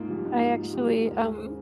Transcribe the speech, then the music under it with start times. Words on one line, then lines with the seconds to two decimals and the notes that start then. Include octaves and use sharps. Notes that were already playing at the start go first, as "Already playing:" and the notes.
I actually, um,
Already playing: G#2 A#3 D#4 F4
0.09 F3 G4
0.25 G#2 D#4
0.41 G#2 F4
0.57 A#3
0.73 F3 G4
0.90 G#2
1.05 D#2 A#4
1.22 G#3
1.38 C#3 C5